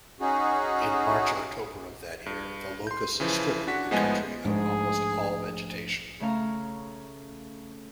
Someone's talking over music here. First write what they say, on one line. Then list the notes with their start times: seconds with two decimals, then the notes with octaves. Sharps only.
In March-October of that year, the locusts stripped the country of almost all vegetation.
0.20 C#4 D#4 F#4 G#4
2.26 G2
2.87 C6 G6
3.20 C#3 E3 F3
3.67 D4 F#4 F#5 B6
3.91 A2 F3 G#3 B3 D#5 G#5
4.45 G#2 F3 A3 D4 G#4
6.20 C#3 A3 C#4 F5 A#5